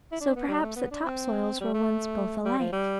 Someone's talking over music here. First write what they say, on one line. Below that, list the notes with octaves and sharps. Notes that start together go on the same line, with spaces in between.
So perhaps the top soils were once both alike.
E4
D4
B3
G3
A3
B3
D4
C4
G3
A3
G3
F3
G3